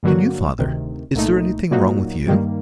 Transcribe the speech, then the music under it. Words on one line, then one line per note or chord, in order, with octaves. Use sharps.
"And you, father--is there anything wrong with you?"
G2 D3 F#3 A#3 F#4
D2 C3 D#3
C2 A#2 A3 D#4
A#2 F#3 A#3 D#4 F#4
G2 D#3 G3 A#3